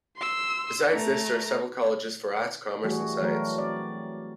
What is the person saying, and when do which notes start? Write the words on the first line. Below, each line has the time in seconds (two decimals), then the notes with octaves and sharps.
Besides this, there are several colleges for arts, commerce and science.
0.17 C6 E6
0.93 A3 A#5
2.84 E3 G3 A3 F#4 G#4
3.21 E3 F#3 A3 F#4 A#4
3.58 C4 D5